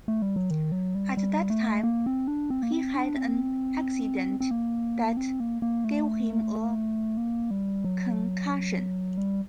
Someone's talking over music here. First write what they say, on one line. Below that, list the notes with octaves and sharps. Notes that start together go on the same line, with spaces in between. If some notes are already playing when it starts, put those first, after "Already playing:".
At that time he had an accident that gave him a concussion.
A3
G3
F#3
D#3
F#3
G3
G3
A3
A#3
C4
D4
C4
A#3
C4
D4
C4
C4
A#3
C4
A#3
A#3
A3
A#3
G3
F#3
G3